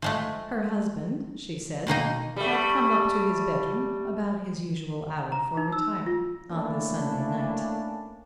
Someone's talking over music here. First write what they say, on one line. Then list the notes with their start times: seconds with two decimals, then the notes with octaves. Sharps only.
Her husband, she said, had come up to his bedroom about his usual hour for retiring on the Sunday night.
0.02 F3 G#3 A3
1.87 B2 D#3 A#3 D#4
2.36 G3 A3
5.32 A#5
5.57 D#4
5.72 E6
6.06 F4
6.49 A3 A#3 C#4 D4 E4